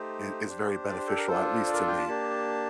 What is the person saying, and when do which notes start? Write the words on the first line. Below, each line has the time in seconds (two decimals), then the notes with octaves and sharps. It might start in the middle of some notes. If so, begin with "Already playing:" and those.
is is very beneficial, at least to me.
Already playing: A3 D#4 G4 C5
0.48 D4 G4
0.89 D5
0.97 C5
1.07 A4
1.17 A#4
1.28 D4 F4 A4 C5
1.67 D5
1.74 A#4
1.78 A4
1.87 G5
1.97 A5
2.08 A#3 D4 G4